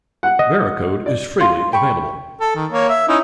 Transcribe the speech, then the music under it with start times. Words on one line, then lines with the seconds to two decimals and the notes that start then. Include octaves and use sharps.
Varicode is freely available.
0.23 F#5
0.39 D#5
1.06 D5
1.41 F4 C6
1.73 G5 B5 C#6
2.40 A4
2.55 D#3
2.72 A#3 C#5
2.89 E5
3.09 C#4 D#4 E4